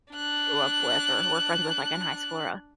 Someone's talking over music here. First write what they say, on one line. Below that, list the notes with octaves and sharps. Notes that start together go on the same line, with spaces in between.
grew up with or were friends with, like, in high school or, uh
D4 F#6